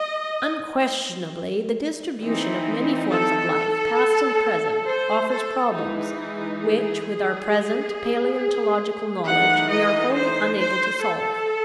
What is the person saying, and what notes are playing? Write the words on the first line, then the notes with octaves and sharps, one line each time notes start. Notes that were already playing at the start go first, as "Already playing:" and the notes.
Unquestionably, the distribution of many forms of life, past and present, offers problems which with our present paleontological knowledge we are wholly unable to solve.
Already playing: D#5
E3 C4 D#4
A4
C5
A4
E3 G#3 D#4
G#4
E3 A3 D#4 F#5
D#5
C5
C5
A4